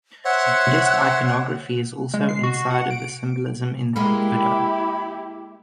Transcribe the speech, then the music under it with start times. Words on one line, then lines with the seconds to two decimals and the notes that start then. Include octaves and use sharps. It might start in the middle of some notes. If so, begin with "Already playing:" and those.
Buddhist iconography is also inside of the symbolism in the pagoda.
0.25 C5 C#5 E5 F#5
2.14 G#3
2.29 C7
2.43 F#4
2.71 F#5
2.91 D7
3.96 G#3 A#3 E4 G4 B5